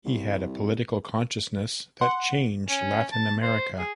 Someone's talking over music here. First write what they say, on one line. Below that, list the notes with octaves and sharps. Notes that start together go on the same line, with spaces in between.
He had a political consciousness that changed Latin America.
C2
F#5 C6
C#4
A5
C5
G#4